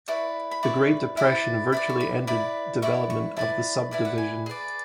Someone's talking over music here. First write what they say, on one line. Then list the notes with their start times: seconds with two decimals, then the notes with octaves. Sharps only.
The Great Depression virtually ended development of the subdivision.
0.08 E4 B4 D5 C#6
0.51 B5
0.63 E4 B4 D5 C#6
1.17 E4 B4 D5
1.72 E4 B4 D5 B5
1.89 C#6
2.00 B5
2.27 E4 B4 D5 B5
2.82 E4 B4 D5 C#6
3.10 C#6
3.37 E4 B4 D5 A5
3.91 E4 B4 D5 G#5
4.05 F#5
4.18 G#5
4.46 G#4 B4 D5